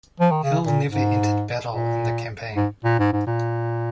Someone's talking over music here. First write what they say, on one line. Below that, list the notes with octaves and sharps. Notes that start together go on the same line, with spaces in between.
Hill never entered battle in the campaign.
F3
D#3
C#3
A#2
G#2
A#2
G#2
A#2
G#2
G#2
A#2